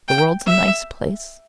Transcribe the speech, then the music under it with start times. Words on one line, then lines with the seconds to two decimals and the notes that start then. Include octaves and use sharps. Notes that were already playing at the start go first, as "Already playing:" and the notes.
The world's a nice place.
0.08 G5
0.46 E5